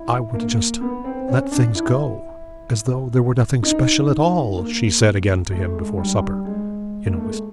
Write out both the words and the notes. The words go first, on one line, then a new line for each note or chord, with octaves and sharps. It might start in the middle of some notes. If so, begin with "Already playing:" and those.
'I would just let things go, as though there were nothing special at all,' she said again to him, before supper, in a whisper.
Already playing: E4
A#3
B3
C4
C#4
D4
E4
D#4
A#3
A3
G#3
G3
G3
G#3
A#3
A3
G#3